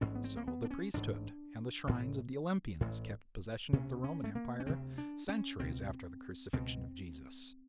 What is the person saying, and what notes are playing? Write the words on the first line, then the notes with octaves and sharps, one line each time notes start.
So the priesthood and the shrines of the Olympians kept possession of the Roman Empire centuries after the crucifixion of Jesus.
A1 G#2 C#4
B3
C4
A#3
B3
D4
C#4
A1 G#2 D4
A1 A2
A1 A2
D2 C3 C#4
C#4
A3
A#3
C#4
D2 C3 C4
D4
C#4
C#2 B2 C4
C#2 B2 C4